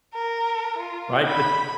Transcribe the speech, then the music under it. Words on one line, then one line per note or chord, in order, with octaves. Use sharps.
Right? But
A#4
F4
B5